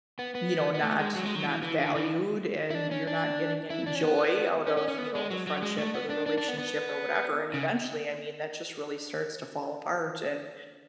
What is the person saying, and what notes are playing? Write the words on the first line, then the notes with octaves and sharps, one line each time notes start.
you know, not not valued, and you're not getting any joy out of, you know, the friendship or the relationship or whatever, and, eventually, I mean, that just really starts to fall apart, and,
B3
B3
B3
A3
G#3
F#3
G#3
F#3
E3
E3
D3
E3
E4
D4
C#4
D4
E4
D4
C#4
B3
C#4
C#4
C#4
B3
G#3
F#3
F#3
G#3
A3
B3
D4
D4
D4
B3
B3
C#3